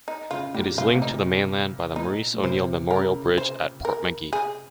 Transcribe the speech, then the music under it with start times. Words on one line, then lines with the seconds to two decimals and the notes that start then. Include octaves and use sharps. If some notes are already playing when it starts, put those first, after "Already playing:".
It is linked to the mainland by the Maurice O'Neill Memorial Bridge at Portmagee.
0.08 D#4
0.31 C#3 F4
0.54 A#2 G4
0.78 C3 F4
0.95 C3
1.02 A#2 D#4
1.96 A#2 D#4
2.34 A#2
2.43 C3 C5
2.91 C#3 A#4
3.38 C5
3.85 A#4
4.33 G#4